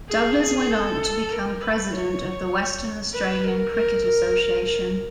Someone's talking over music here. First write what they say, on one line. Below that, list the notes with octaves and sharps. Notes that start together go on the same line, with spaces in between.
Douglas went on to become President of the Western Australian Cricket Association.
G#4
A4
A#4
B4
C#5
B4
A#4
A#4
A#4
A#4